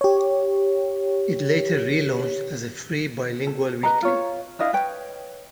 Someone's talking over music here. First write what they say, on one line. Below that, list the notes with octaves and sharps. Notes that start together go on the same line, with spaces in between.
It later relaunched as a free bilingual weekly.
G4 C#5
A4
B4 D#5 A#5
F4 C#5
D4 E4 D#5 F5
B4 C#5 G5